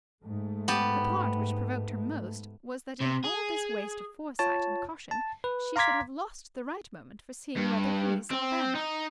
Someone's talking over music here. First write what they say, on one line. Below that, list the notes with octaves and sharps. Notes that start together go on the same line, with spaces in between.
The part which provoked her most, was that in all this waste of foresight and caution, she should have lost the right moment for seeing whether he saw them.
G#2 A3
B3 G4 A5
C3
G#4
F4 C#5 A5
A5
B4
F5 A#5 C6 D6 G#6 B6
G2
C4
D#4